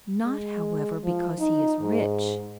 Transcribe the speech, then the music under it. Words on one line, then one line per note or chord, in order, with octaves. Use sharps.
"Not, however, because he is rich."
G#3
F3
D#4
G#2